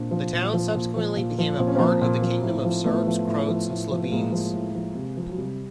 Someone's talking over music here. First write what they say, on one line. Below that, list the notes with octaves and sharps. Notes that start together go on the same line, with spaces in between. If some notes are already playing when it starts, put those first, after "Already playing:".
The town subsequently became a part of the Kingdom of Serbs, Croats and Slovenes.
Already playing: A#2 C4 D4
F3
A#2
F3
A#2
F3
A#2
F3
A#2 C4
C#4
F3 A#3 C4
A#2
F3
A2
F3
A2 A3 B3
F3
A2
F3
A2
F3
B3
A2 G#3 A#3
F3
A2
F3
C3
F3
F#3
C3 G3